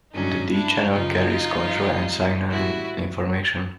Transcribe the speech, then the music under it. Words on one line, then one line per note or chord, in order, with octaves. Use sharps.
The D-channel carries control and signaling information.
G2 D3 F#3 C#4 D#4
D4 E4
F#2 C#3 F3 D#4 F4
G#2 E3 G3
A2 E3 G3 E4 F#4